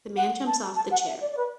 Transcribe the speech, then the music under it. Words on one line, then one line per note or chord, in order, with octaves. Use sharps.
The man jumps off the chair.
F#5
A5
A5
F#5
E5
D5
D5
B4